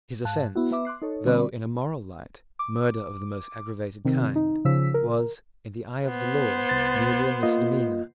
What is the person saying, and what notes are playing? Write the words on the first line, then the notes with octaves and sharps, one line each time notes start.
His offence, though, in a moral light, murder of the most aggravated kind, was, in the eye of the law, merely a misdemeanour.
G#2 F5 A5 F#6
B3 E4 F#4
B3 B4 E5 D6
C6 D6 F#6 C7
D#4 A4 C#5
D3 G3 C4 D5 B5
D6
C3 D#3 C4
D#4
C#3 F3 E6 B6
A#4
B3 C5
C2 A6
A#3 F4 D#5